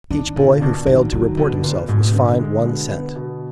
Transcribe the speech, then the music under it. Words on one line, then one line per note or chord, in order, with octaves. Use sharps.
Each boy who failed to report himself was fined one cent.
D#3 D4
A#2 D3
B2 D4
D#3 F#3
D#3 F#3
B2 D3
A#2 B3
G#2 B2
D3 B3
G#3
B2
B3
B2